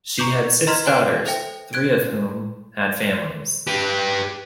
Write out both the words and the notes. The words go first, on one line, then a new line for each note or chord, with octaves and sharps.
She had six daughters, three of whom had families.
A#5 C#6 D6 G6 B6 C7
D#5 A#5 C6 F6 G#6 B6
B4 F#5 G#5
A4 C5 E5 G5
F#6 G#6 D7
G4 B4